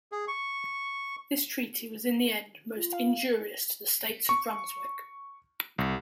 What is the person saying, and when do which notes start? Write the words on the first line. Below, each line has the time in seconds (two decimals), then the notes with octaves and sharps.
This treaty was in the end most injurious to the states of Brunswick.
0.12 G#4
0.28 C#6
2.76 F4
2.92 F5
4.29 C#6
5.78 C2